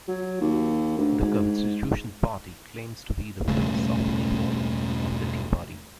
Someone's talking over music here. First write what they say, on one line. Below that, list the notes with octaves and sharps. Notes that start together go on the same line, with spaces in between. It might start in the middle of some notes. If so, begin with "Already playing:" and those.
The Constitution Party claims to be the "philosophical home" of the Tea Party.
F#3
D#2
D2
G#2
E1 G2 C#3 A3